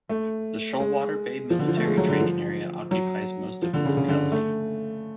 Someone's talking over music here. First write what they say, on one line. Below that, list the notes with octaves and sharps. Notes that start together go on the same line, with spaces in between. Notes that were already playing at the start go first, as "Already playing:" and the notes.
The Shoalwater Bay Military Training Area occupies most of the locality.
A3
G#3
F3
D3
F3
A3
G#3
F#3
D3
F3
F#3
F3
D3
C#3
C#3
D3
A3